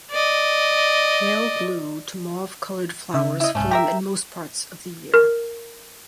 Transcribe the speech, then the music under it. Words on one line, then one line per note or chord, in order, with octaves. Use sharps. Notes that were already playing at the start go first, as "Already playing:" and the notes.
Pale blue to mauve coloured flowers form in most parts of the year.
D5 D#5
C#3 E5
E4 D#5
C2 G#2 A3 C#4
G4 A#4 E5 G5
A#4